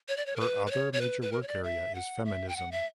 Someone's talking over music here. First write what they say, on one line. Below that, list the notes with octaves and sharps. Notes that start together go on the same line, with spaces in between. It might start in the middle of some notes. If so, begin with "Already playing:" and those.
Her other major work area is feminism.
C#5
D5
C#5
A#4
B4
B4
C#5
C#5
B4
B4
A#4
C#5
D5
E5
F#5
E5
G5
F#5
E5